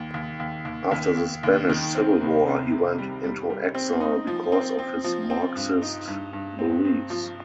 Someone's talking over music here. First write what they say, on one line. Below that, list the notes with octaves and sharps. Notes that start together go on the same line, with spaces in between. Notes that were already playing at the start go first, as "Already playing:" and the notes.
After the Spanish Civil War, he went into exile because of his Marxist beliefs.
Already playing: D#2
D#2
D#2
D#2
D#2
D#2
D#2
D#3
C4
C2
C3
C3
G3
G3
G3
C4
D#4
F3
C4
C4
F3
C4
G2
D#4
G2
G2
C4
C4
F3